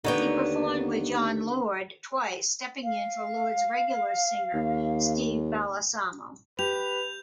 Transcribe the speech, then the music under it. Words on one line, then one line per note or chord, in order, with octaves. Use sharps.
He performed with Jon Lord twice, stepping in for Lord's regular singer Steve Balsamo.
D#2 D3 B3 D#4 C#5 G5
F5
D#2
G4 B4 G6 F7